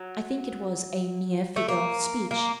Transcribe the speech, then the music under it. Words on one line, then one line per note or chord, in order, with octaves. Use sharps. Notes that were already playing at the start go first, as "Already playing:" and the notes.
I think it was a mere figure of speech.
Already playing: F#3
A3
A#3
A#3